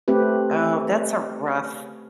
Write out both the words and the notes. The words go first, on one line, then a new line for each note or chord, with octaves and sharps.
Oh, that's a rough
A3 C4 G4 B4